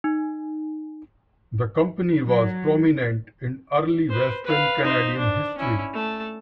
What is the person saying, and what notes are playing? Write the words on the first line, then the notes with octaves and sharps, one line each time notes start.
The company was prominent in early Western Canadian history.
D#4
F#3
B4 C5
B4 F5
D#4 C5
D4
C#4 E4
A3 A5